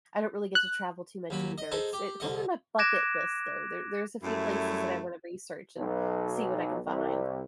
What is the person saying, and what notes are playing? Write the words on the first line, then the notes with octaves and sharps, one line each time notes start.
I don't really get to travel too much either. It's, uh, kinda on my bucket list, though. There there's a few places that I wanna research and see what I can find.
F#6
D#2 F#3 B5
D#5
D#4 G#4 A4 C5
G4
C2 D3 D#5
D6 F#6 G#6 A#6 D7 E7
F#2 G3 A3 E4 C#5
B1
C2